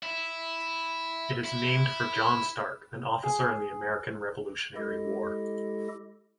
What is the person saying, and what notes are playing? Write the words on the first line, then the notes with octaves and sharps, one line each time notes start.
It is named for John Stark, an officer in the American Revolutionary War.
E4
E4
G#4
G#3 E4 G4 A4 D#5